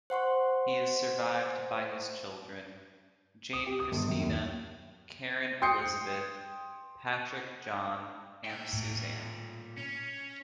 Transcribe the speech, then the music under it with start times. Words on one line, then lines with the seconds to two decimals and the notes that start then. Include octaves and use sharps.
He is survived by his children: Jane Kristina, Karin Elizabeth, Patrick Jon and Suzanne.
0.10 C5 F#5 C6 C#6
3.53 D#6
3.67 G4
3.80 D#6
3.92 G1
4.08 F#2
4.19 D#2
5.62 G5 C6 D#6 G6 C7 C#7
8.45 A#2 G5
8.73 A2
9.77 C#4